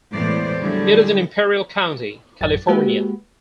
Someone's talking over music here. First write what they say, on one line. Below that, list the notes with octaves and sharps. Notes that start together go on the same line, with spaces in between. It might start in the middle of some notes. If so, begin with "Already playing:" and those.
It is in Imperial County, California.
E2 A2 G#3 B3 C5 D5
D3 F#3 G3 E4 G#4
A1 F#2 A6
G#3 A#3 F#4 G4 B4